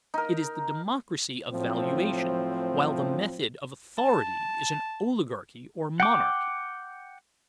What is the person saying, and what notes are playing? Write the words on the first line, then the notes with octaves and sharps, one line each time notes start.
It is the democracy of valuation, while the method of authority is an oligarchy or monarchy.
D#4 A#4
A2 F3 F#3 C4
A5
F#5 G5 D6